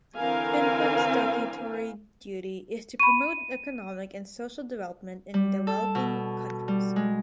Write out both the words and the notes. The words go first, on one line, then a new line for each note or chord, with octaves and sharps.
Finnfund’s statutory duty is to promote economic and social development in developing countries.
D3 E3 C4 A#4 F5 G#5
B5 C#6 D#7
G3
A4
B2
G3
G#3